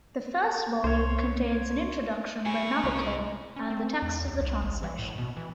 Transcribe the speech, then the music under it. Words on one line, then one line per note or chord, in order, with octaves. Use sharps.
The first volume contains an introduction by Nabokov and the text of the translation.
C2 C5 C#5
A2 G#4 B5 C#6
C2 G#3 C#4 F5 A#5
C#4
C4
E2
D#2
C2
A1
E3
A2
B2
E3